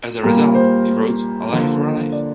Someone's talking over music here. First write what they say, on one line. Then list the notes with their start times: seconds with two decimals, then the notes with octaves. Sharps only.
As a result, he wrote A Life for a Life?
0.23 A#2 G3 A#3 A#4
0.55 C5
1.49 D3 F3 A#3
2.12 D5